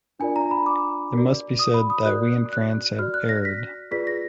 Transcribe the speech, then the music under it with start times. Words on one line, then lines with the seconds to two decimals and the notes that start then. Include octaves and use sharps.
It must be said that we in France have erred.
0.20 D4 F4 A#4 D5 G#5
0.36 A#5
0.51 B5
0.66 D6
1.13 F#4 A#4 D5
1.59 D#6
1.74 B5
1.90 D#6
2.05 F#4 A#4 D5 F#6
2.53 F#6
2.99 F#4 D5 F6
3.14 F#6
3.29 A#6
3.45 B6
3.91 F4 G#4 B4 D5 B6
4.07 A#6